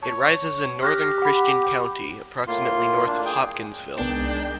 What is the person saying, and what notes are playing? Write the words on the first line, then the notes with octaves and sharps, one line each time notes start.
It rises in northern Christian County, approximately north of Hopkinsville.
C#5 A5
G4 F6 F#6 A#6
F#5 B5
A2 A#3 F4 C6
A#3 D4
G#4 G5
C2 D#3 G#3 B3 D4 G5 E7